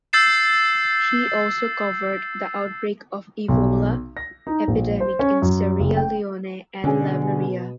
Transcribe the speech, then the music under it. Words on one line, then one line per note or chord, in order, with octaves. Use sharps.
He also covered the outbreak of Ebola epidemic in Sierra Leone and Liberia.
E6 G6 A6 C7 E7
B1
A#6
D#4
A#1
C5
C#4
F#2
F#1
G5
B2 D3 C#4 G#4